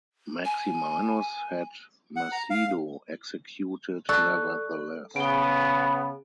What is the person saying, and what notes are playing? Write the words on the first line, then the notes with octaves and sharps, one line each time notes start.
Maximinus had Macedo executed nevertheless.
G#5
F#5
A#5
F5
A4 D5 C#6 F#6
C#3 B3 D7 G7